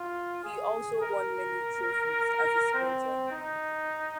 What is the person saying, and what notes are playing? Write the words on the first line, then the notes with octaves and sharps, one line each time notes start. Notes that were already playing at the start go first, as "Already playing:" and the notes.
He also won many trophies as a sprinter.
Already playing: F4
G#4
A#4
C4
D#4